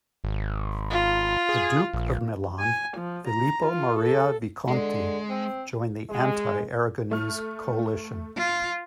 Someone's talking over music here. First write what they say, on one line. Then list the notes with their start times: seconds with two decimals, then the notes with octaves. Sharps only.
The Duke of Milan, Filippo Maria Visconti, joined the anti-Aragonese coalition.
0.24 G#1
0.90 F4
1.49 G#4
1.94 A#1
2.60 G#5
2.97 F3
3.28 A#5
3.67 F4
4.00 A4
4.68 D3 G#3
5.30 C4
6.10 G#3
7.11 A3 F6
8.37 F4